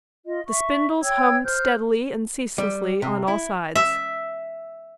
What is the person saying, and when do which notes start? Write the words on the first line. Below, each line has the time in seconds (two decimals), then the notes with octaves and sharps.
The spindles hummed steadily and ceaselessly on all sides.
0.25 F4 D#5
0.47 E5 C#6
1.01 C#5 G5 E6 G#6
1.45 C5 F6 G6
2.58 G3
3.02 C3
3.28 E4
3.75 E5